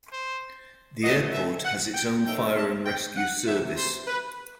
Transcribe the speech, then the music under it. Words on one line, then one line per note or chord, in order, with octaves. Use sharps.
The airport has its own fire and rescue service.
C5
B2 F#3 A3 D#5
E5
F#5
G5
F#3 A3 C4 D#4 G5
A5
G5
F#5
C3 E3 A3 E5
C5
B4